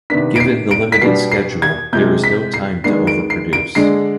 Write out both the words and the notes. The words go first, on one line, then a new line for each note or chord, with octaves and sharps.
Given the limited schedule, there is no time to overproduce.
C3 D#3 B3 D4 B6
D7
C7
D7
B6
B2 G3 D4 C7
C7
G#6
C3 F3 G#3 G6
B6
C7
D#3 G#3 B3 D4 C7
D7
C7
D7
D3 G#3 D4 C7